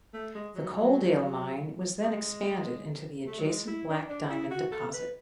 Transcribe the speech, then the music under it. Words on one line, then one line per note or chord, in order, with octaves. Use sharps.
The Coaldale Mine was then expanded into the adjacent Black Diamond deposit.
A3
G#3
F#3
F#3
G#3
A3
F#3
G#3
E4
D4
D4
E4
F#4
A4
B4